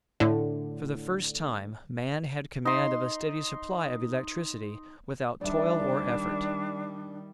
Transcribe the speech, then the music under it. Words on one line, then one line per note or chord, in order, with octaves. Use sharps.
For the first time man had command of a steady supply of electricity without toil or effort.
A2 D3
D#4 C6
D#3 G3 D4 D5 E5